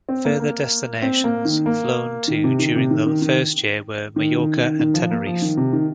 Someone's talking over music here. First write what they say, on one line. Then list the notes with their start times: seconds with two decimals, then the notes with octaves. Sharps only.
Further destinations flown to during the first year were Majorca and Tenerife.
0.09 C4
0.25 A#3
0.40 A#3
1.02 C4
1.24 A#3
1.45 D#3
1.66 A#3
2.28 D#3
2.44 C3
2.59 D#3
2.76 C3
2.91 D#3
3.07 D#3
3.22 D#3
4.16 D#3
4.38 D#3
4.57 D#3
4.79 D#3
4.94 F3
5.11 A#3
5.26 F3
5.42 D#3
5.57 C3
5.73 D#3